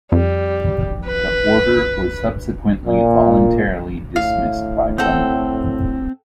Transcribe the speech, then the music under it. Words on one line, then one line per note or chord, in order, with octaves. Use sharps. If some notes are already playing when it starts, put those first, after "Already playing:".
The order was subsequently voluntarily dismissed by Bundy.
F2 G3
B4
A#2
A2 F5
C4 A4 F#5 G5